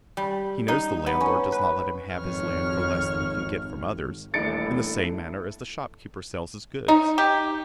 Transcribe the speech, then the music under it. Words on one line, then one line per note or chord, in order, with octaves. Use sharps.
He knows the landlord does not let him have his land for less than he can get from others, in the same manner as the shopkeeper sells his goods.
G3
D#4
B3
C#4
B4
G#1 F2 C#5 F6
D#1 A1 D4 E4 A4 A6 C#7 D7
D#4
G4